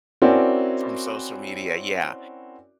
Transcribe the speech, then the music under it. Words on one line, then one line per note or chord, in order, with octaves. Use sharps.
from social media, yeah,
C4 C#4 E4 F#4 A#4 D5